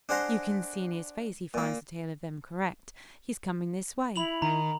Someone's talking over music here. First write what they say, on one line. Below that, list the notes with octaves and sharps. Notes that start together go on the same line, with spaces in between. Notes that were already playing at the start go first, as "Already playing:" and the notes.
You can see in his face he finds the tale of them correct. He's coming this way.
D4 G#4 C5 F#5 A#5 C6
A#2 A#3
E4 B5 F7 F#7
D#3 A#5